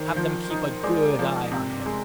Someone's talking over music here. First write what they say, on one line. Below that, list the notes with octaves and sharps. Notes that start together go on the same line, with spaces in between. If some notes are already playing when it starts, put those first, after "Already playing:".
Have them keep a good eye on him.
Already playing: D#3 A#4 C5 D5
F3
D#4
G#3 D5
F3
C3
G#3